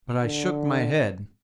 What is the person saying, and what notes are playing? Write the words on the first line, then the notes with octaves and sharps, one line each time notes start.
But I shook my head.
D3